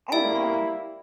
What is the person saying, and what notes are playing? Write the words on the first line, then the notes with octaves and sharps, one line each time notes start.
Oh, my.
A#3 E4 G4 D5 G5